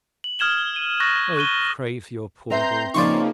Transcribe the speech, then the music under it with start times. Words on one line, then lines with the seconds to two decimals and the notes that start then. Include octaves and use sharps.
O pray for your poor daughter.
0.24 F#7
0.39 D#6 F6 G#6 E7 G7
0.76 D#7
1.00 C#6 F#6 A6 A#6
1.36 C#6 F#6 D#7 G7
2.50 C4 B4 E5 A#5 C6 G6
2.94 C#3 F3 A#3 D#4 D5 C6 C#6